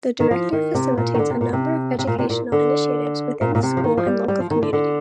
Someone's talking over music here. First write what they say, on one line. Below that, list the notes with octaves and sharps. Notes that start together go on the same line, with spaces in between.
The director facilitates a number of educational initiatives within the school and local community.
D#3
F3
D#3
C3
A#2
D#3
D3
C3
A#2
C3
C3
A#2
C3
A#2
D3
A#2
A#2
C3
F3
D#3
F3
G3
G3
F3
D#3
D3
D3